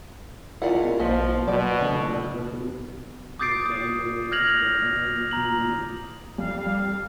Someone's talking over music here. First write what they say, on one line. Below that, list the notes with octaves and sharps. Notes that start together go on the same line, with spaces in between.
It is found from Madagascar to New Caledonia, Japan and New Zealand.
C#2 E4 F4 A#4 D5 F5 F#5
A#1 F3 A#3 F4 F#4 D#5 B6
B2 F#3 F#4 D5
C#3 A3 D4
D6 D#6 G6 A6 C7 D7
D#6
F6 G6 G#6 A#6 F7 F#7
A#5 F#7
F2 G3 F5